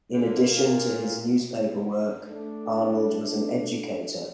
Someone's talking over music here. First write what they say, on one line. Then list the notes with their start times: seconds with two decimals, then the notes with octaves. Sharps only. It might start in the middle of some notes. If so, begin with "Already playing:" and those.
In addition to his newspaper work, Arnold was an educator.
0.14 D3 A#3
0.56 A#2 A#4
2.27 A3 D4